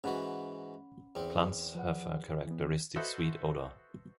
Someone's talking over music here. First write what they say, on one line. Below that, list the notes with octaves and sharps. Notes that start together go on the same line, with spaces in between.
Plants have a characteristic sweet odor.
G#2 E3 C#4 F#4 F#5 B5
E2 C4
F3 B4 F#5
E3 B3
F#4 A4 B4 C5 D#5 E5